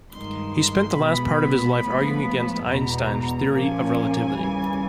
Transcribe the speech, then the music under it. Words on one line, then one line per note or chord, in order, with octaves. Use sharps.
He spent the last part of his life arguing against Einstein's Theory of Relativity.
G2 D#3 G#3 C6
C6
B2 G#3 B3 B5
A2 F3 G#3 B3
E2 B2 G#3 A#5
A#2 F3 A#3 C#4 G#5
D#2 C#3 E3 G3